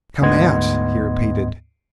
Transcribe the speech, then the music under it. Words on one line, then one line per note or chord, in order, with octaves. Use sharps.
"Come--out," he repeated.
D2 G#2 B3 D#5 C6 G#6